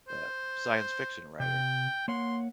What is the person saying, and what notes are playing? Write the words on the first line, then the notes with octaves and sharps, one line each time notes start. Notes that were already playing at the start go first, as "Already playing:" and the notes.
the science fiction writer,
C5
C3 G5
A#3 C#5 F#5 C6